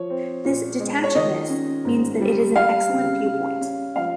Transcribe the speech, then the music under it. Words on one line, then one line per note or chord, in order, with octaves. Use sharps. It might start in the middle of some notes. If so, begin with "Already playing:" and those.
This 'detachedness' means that it is an excellent viewpoint.
Already playing: F3 C#5
C4
A#2
G#3
C#5
D#3 D#5
C#4
G#2
G3
G3 F5
C#3
C#3
C#4
F3 F5